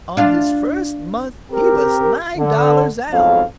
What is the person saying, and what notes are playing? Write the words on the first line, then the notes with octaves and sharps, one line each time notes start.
On his first month he was nine dollars out.
D4 F4
C4 G4 A#4
D3
B1 F2 G#2 A4 F5